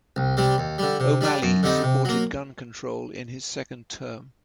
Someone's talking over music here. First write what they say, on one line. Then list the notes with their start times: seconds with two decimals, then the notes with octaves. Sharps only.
O'Malley supported gun control in his second term.
0.16 C2
0.37 C3 G3 C4
0.58 D#2
0.78 D3 G3
1.00 C3
1.21 G3 D4
1.42 F#2
1.63 D3 G3 C4 D#4
1.83 C3
2.05 F#3 A#3